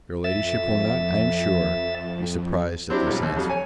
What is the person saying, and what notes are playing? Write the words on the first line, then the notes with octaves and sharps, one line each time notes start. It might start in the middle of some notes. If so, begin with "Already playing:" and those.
Your Ladyship will not, I am sure, be surprised at this answer.
F2 E5 E6 A6
F#3 C4 D4 E4 G4
A#1 F#3 G3
D#2
F2 F#3 G3
C#5 G#5